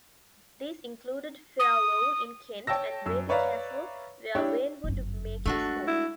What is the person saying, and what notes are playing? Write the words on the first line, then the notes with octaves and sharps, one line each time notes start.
These included Fairlawn in Kent, and Raby Castle, where Vane would make his home.
D#6
C#5 G5 A5 E6 A#6
F#2 E6
B4 C#5 D5 E5 F5 A#5
D4 E4 G4 C#5
G1 F#2
G#3 A3 D4 F#4
E4